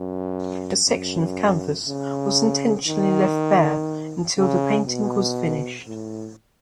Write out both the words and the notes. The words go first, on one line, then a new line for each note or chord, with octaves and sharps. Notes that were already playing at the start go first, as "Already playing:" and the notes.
A section of canvas was intentionally left bare until the painting was finished.
Already playing: F#2
F#2
C#3
D#3
C#3
B2
A2